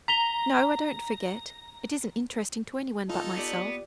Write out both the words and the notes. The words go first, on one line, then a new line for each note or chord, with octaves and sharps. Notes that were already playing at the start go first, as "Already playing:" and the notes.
'No, I don't forget; it isn't interesting to anyone but myself.
A#5 B6 F7 G7
D#4 F4 A4
B3 G4 D5